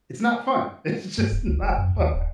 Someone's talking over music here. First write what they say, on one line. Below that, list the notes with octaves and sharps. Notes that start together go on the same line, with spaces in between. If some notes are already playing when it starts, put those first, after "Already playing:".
it's not fun! It's just not fun.
G2
D#1
C#2
F1
F#2
D#2
D1